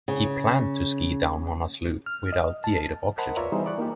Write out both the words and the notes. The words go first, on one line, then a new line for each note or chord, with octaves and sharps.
He planned to ski down Manaslu without the aid of oxygen.
C#3
F6
D#5
A5
A#4 C5 D#5 F#5 A5 B5
F4 B4 C#5 D5 E5 A#5
E3 G3 B3 D#4 G#4 C5
D5 C#6 F#6
A#3 D#4 F4 G4